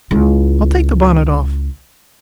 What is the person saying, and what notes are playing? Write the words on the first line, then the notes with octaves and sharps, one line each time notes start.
"I'll take the bonnet off."
C#2 E4